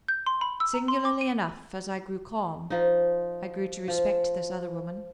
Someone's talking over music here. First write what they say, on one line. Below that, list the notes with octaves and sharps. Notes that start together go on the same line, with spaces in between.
Singularly enough, as I grew calm, I grew to respect this other woman.
G6
C6
B5
E6
A#5
C6
D6
D#7
F3 D#4
F3